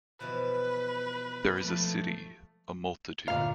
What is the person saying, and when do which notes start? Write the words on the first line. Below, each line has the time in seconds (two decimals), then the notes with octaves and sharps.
There is a city, a multitude.
0.20 B2 E3 F3 B4
1.58 F3 A3 D5
3.28 D2 A#2 F5 A#5